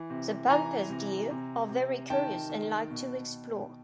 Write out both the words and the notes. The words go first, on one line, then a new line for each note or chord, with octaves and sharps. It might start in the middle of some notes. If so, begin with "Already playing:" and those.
The Pampas deer are very curious and like to explore.
Already playing: E3
C3
E3 G#5 A#5
C3
C3
C3
D#3 G5 A5
D#3
B2